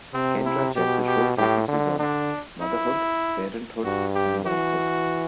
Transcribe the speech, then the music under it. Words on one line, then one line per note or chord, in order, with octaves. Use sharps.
Kendra said the show focuses on "motherhood, parenthood, and wife hood".
C3 C4
E4
B2 G4
G4
A2 G4
D3
D3 D4
E4
G2 F#4
G4
E3 F#4